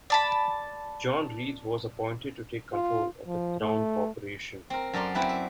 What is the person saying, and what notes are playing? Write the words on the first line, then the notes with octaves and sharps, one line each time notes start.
John Reith was appointed to take control of the Crown corporation.
D5 A5 B5
F4
F3
A3
C4 A#4
F#2 A4 D5 A#5 C6
C4 E4 B4
E5